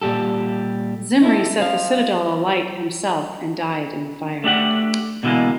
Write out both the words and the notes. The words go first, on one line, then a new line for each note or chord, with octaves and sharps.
Zimri set the citadel alight himself and died in the fire.
A#2 G3 G4 A4
D#4 E4 A4
C5 F5
A3 D4 G4 F#5
B2 D3 E3 F#3 G#3 A#3